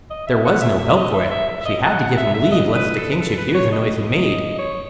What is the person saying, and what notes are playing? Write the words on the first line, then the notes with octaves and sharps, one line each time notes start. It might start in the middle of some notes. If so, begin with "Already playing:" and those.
There was no help for it; she had to give him leave, lest the king should hear the noise he made.
D#5
E5
F#5
E5
E5
D#5
E5
E5
E5
E5
D#5
F#5
F#5
E5
E5
D#5
B4
A4
B4
A4
B4
C#5
D#5
C#5